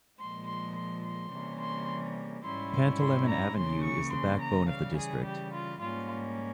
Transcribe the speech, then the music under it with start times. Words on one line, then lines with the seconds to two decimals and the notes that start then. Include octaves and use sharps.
Pantelimon Avenue is the backbone of the district.
0.19 A#2 F3 G#3 C6
0.48 C6
0.76 C6
1.05 C6
1.32 C3 E3 G3 A#3 C#4
1.60 C6
2.44 G#2 G3 C#4 E4 C6
2.73 C6
3.00 C6
3.29 A#5
3.57 C#3 E3 A#3 C#4 C6
3.85 C#6
4.13 C6
4.41 A#5
4.69 C#3 E3 G3 F5
4.97 G#4
5.26 G4
5.54 F4
5.82 G#2 G3 A#3 C#4 F4